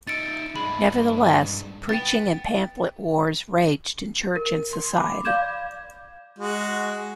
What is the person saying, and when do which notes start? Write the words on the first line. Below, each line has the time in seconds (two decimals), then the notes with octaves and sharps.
Nevertheless, preaching and pamphlet wars raged in church and society.
0.07 D#4 E5 A6 C#7 D7
0.56 G2 G#3 B5
1.89 B3 G5 A6
4.36 A#4
4.73 C6
4.93 B5 D6
5.25 D5 F5 D6 G6 G#6 E7
6.39 G#3 F#4